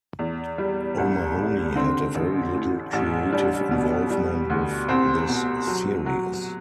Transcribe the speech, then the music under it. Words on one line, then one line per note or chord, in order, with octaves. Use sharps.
O'Mahony had very little creative involvement with this series.
E2
G3
C2
C2
D3 C4
A1
A2
A1
G3 D4
B2
G3
D2
C2 C4
B2
F#3
F#3